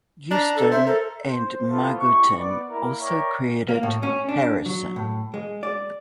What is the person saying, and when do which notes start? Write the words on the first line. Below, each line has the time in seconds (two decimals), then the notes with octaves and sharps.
Guesdon and Margotin also credit Harrison.
0.31 D4 A#5
0.56 A4
0.72 C5 E5
0.87 A4 A#4
1.28 C5
1.68 B3 E4 F4 A4 C5
1.98 G#3 E4 G4 C#6
2.35 B3 D5
2.68 A#3 E4 A#4
3.00 A#4 C#5 D5 E5 G5
3.69 A#3
3.83 A2
4.03 C#4
4.29 D4
4.66 F#3
4.96 A2
5.34 G#3
5.63 D5